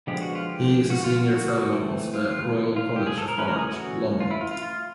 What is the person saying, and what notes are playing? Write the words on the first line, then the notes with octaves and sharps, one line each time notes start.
He is a Senior Fellow of the Royal College of Art, London.
D3 F3 G#3 B3 G4
F#4
F4
G4
F#4
F4
F#4
E3 A3 C4
F4
F4
G4
G#4
A4
A#4
E3 A3 C#4 B4
A#4
G#4
F#4
F4
E4
F4
F4
F4